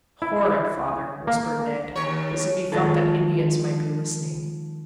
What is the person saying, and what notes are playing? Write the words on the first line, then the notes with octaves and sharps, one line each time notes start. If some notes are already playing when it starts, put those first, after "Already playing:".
"Horrid, father," whispered Ned, as if he felt that Indians might be listening.
E4
A#3
D#2 C#5
D#3 F3 G#3 F4 A4